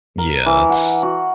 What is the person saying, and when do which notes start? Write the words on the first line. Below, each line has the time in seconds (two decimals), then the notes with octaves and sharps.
Yeah, that's
0.18 A#4
0.46 E3
0.69 F#5
1.03 F#4